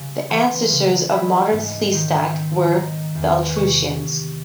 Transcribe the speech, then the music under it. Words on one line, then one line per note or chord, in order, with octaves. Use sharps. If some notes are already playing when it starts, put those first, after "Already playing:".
The ancestors of Modern Sleestak were the Altrusians.
Already playing: C#3 G3
E3 C6
C#3
G#3 B5
G#2
D#3
C4
D#3 A#5
E2
C3 C#6